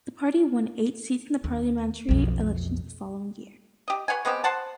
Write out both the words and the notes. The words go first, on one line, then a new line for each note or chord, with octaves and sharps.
The party won eight seats in the parliamentary elections the following year.
D#2
B1 F2
G4 D#5
B4 C#5 F#5 G#5
G#3 B3 C4 G4
C5 F#5 A5